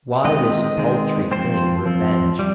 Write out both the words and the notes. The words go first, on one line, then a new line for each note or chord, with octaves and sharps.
Why this paltry thing, revenge?
D#3 G#3 C4 D#5
D#3 G#3 C4
F3 C4 C5
F3 C4
G3